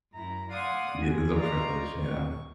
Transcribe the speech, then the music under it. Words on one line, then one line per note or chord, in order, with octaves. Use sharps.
It is a privilege, yeah.
F#2 E4 A#5
D5 F5 F#5 C6 D#6 G#6
B3 C4 F#4 G#4
C5 D5 D#5 F5 A#5 C#6
C#6